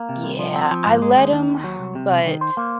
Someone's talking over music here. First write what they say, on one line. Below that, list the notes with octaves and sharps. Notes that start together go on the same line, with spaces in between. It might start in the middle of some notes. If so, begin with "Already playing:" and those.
Yeah, I let him, but
Already playing: A#3
C3
C2
F3
C4
F3
G#2
G#3
D#2
D#3
D#2
F#3
C2
C3
C2
D#3
C5
A#3